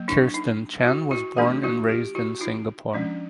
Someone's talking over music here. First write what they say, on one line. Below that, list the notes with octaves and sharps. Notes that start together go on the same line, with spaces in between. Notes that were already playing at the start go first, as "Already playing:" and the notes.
Kirstin Chen was born and raised in Singapore.
Already playing: F#3 A#3
D4 E4
D#4
E4 F#4
E4 F#4
E3 A3 D4 F#4 G#4
E4 F#4
F4 G4
E4 F#4
D#4 F4
F3 G#3 C#4 D4